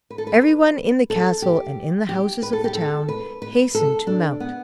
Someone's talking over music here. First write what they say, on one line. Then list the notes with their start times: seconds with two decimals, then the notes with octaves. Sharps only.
Every one in the castle and in the houses of the town hastened to mount.
0.10 B4
0.18 A4
0.27 B4
1.10 A4
1.42 G4
2.09 G4
2.42 B4
2.53 A4
2.64 G4
2.75 A4
3.08 B4
3.42 B4
3.75 A4
4.07 D4
4.40 B3